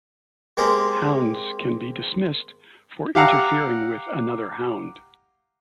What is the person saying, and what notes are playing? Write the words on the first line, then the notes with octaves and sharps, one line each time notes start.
Hounds can be dismissed for interfering with another hound.
G#3 A#3 C4 G4 A#4
G4 F5 F#5 A#5 E6